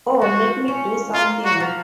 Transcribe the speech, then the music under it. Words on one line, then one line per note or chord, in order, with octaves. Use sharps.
Oh, let me do something!
F3 F#4
C#4
A#3 F4
F#4
F3